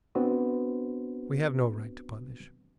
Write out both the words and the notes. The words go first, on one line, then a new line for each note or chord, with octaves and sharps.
We have no right to punish.
B3 C4 D4 F#4 B4 C5